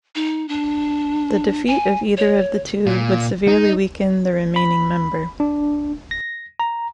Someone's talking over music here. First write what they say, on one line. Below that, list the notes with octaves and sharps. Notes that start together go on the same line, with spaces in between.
The defeat of either of the two would severely weaken the remaining member.
D#4
D4
G#5
C#5
A#2
D#4
B5
D4
A#6
A#5